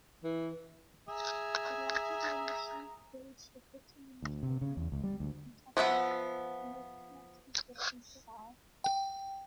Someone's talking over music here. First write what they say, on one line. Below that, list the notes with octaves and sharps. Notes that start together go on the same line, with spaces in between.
The larger the initial dose of vitamin K-antagonist, the more pronounced these differences are.
E3
G#4 E5 A#5
D2
C3
C#3
E2
C#2
G3
D2
F3 B3 E5 F#5
G5